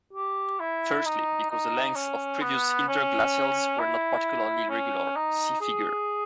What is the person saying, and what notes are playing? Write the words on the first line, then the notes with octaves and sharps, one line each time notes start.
Firstly, because the lengths of previous interglacials were not particularly regular; see figure.
G4
E4
D#4
D#4
C#4
B3
C#4
E4
C#4
D#4
G#4